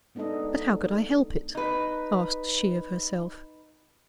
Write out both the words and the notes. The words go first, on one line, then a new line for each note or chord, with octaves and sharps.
'But how could I help it?' asked she of herself.
G#3 B3 D4 D#4 A4 D#5
D#4 B4